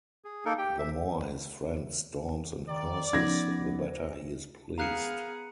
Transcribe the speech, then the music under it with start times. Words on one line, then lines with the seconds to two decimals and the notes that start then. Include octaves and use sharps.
The more his friend storms and curses, the better he is pleased.
0.25 G#4
0.45 A#3 D#4 A4 A#4
0.58 G4 G5
0.78 E5
2.68 D#3 D5
3.13 F3 B3 C#4 D#4 G#6 A#6
4.78 B3 G#4 A#4 F5 A#5 F#6 C#7